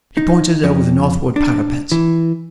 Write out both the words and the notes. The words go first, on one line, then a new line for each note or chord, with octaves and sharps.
He pointed over the northward parapet.
D#4
F2
D4
E3